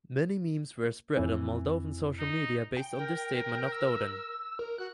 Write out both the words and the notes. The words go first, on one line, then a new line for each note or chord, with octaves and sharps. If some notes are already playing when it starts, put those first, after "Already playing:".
Many memes were spread on Moldovan social media based on this statement of Dodon.
F2 E3 C4
D#4
G5
A#4
E6
A#4
F#4 F#6